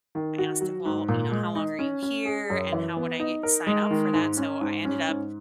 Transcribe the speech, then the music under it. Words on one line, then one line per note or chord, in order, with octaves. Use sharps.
I asked, "Well, you know, how long are you here? And how would I g sign up for that?" So, I ended up
D#3
F#4
F#3
G#2
A#2
G#3
D#4
C#4
C#4
G#4
F#2
E3
B3
D#4
A#4
G#3
D#3
G#2
C#4
G#2
C#4
G#2